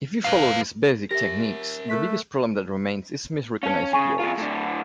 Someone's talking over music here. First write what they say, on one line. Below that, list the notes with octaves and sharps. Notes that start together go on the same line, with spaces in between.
If you follow these basic techniques, the biggest problem that remains is misrecognized words.
B4 F5
G4 A#4 E5 A#6
A3 A#4 F#6 B6
C#4 F5 A5
C#3 G#5 C#6 D#7
E2 F4
A2 D3